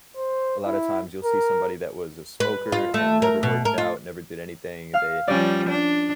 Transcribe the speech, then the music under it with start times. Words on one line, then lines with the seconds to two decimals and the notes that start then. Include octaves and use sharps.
a lot of times, you'll see somebody that was a smoker and never worked out, never did anything. They,
0.17 C5
0.66 E4
1.25 A#4
2.40 B4
2.72 F4
2.94 A3
3.22 A#4
3.43 B2
3.65 A#4
3.78 F4
4.94 F5 F6
5.28 F3 G3 C#4 D5
5.69 D4